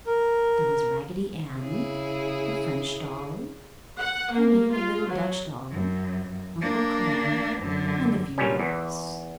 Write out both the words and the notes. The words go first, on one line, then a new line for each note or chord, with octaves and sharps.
There was Raggedy Ann, the French doll, Henny, the little Dutch doll, Uncle Clem, and a few others.
A#4
C#3 E4 G#4
F#5
A#3
F4
F#3
F#2
A#3 D4
F#2 D3
G2 A#2 F#3 G3 C#4
E2 E3